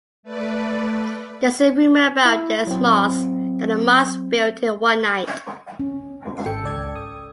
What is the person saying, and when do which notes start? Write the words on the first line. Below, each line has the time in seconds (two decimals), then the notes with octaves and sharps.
There is a rumour about this mosque that the mosque built in one night.
0.23 A3 B4 D5
2.25 E4
2.67 F#3 C4
5.80 C#4
6.46 G#1 A4 G5 C#7
6.64 C#2 D5 G#6
6.96 D#6